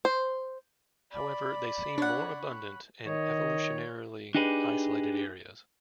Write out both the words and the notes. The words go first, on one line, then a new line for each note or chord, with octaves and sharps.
However, they seem more abundant in evolutionarily isolated areas.
C5
D5 B5
D4 C#5 F#5
D#3 C#5 D#5
D4 D#4 G4 G#4 B4